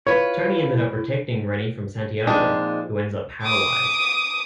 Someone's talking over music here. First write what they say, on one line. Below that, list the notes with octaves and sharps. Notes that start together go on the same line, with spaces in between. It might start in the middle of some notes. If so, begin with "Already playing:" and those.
Tony ended up protecting Reny from Santiago, who ends up paralyzed.
E4 F4 B4 C#5
A#2 F3 G#3 C4 D4 D#4
D6 D#6